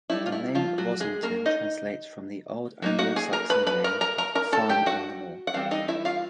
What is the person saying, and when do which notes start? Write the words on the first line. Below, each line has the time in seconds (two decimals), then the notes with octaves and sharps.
The name Rossington translates from the old Anglo-Saxon name of 'Farm on the Moor'.
0.10 G3 A#3 D#4 E4
0.26 F4
0.32 E4
0.55 F3 F4
0.78 F#3 F#4
1.00 G#3 G#4
1.23 A#3 A#4
1.46 D#4 D#5
2.82 F#3 A#3 D#4
2.99 F#4 F#5
3.16 G#4 G#5
3.33 A#4 A#5
3.50 B4 B5
3.67 B4 B5
3.84 A#4 A#5
4.01 A#4 A#5
4.18 A#4 A#5
4.35 A#4 A#5
4.53 A4 A5
4.69 G4 G5
4.86 F#4 F#5
5.47 F#5
5.54 E3 G3 C4 F5
5.71 D#4 D#5
5.88 E4 E5
6.05 F4 F5